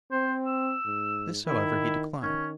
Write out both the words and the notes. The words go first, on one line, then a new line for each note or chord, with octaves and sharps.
This, however, he declined.
C4 C5
E6
G#2
D#3 E4
D#3 C#4